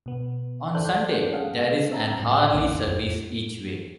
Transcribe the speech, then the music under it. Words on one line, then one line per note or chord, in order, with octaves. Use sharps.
On Sunday, there is an hourly service each way.
B2 B3
A4 C5 D5 F#6 G6
G#3 C#4 G#4 A4 F5 F#5
C4 E5 A5 A#5
A2
A#1 F2 A#3 C#4 F5 D6
F2